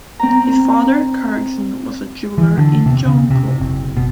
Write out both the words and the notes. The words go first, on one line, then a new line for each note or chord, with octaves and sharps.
His father Kharagsen was a jeweller in Jaunpur.
C4 A#5
E3
D3
C3
C#3
C3
F#1
B2